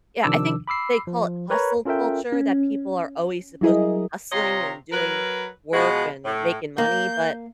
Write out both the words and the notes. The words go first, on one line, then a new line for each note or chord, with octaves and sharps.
yeah, I think they call it "hustle culture" that people are always supposed to be hustling, and doing work, and making money, but
C3 D#3 F3 D4 D6 E6
B5 D6 E6 C7
F3
A#4 B4 C#5 A#5
C#4 F4 A4 A#4 E5 G5
C#4
F#3 G3 E4 G#4 A#4 D#5
C3 F4 C#5 D#5 A#5 C6
F#3 A#4 B4
B2 F3 G#3 F#4
A2
A#3 G6